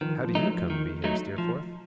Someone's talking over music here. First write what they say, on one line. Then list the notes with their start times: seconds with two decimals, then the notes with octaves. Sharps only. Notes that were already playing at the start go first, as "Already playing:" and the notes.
How do YOU come to be here, Steerforth?'
0.01 D#3 F3
0.24 F3
0.35 F#3 A3 D#4
0.47 F3
0.70 D#3
1.04 F#3 A3 D#4
1.38 F3